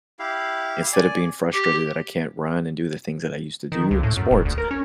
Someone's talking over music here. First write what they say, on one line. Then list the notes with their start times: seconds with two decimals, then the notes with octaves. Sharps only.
instead of being frustrated that I can't run and do the things that I used to do in the sports,
0.19 E4 G4 F5
0.93 D5 G#5
1.53 G4
3.72 D#3
3.91 C#2
4.03 A2
4.17 F#2
4.31 D#1
4.45 D2
4.58 A#4
4.71 C#4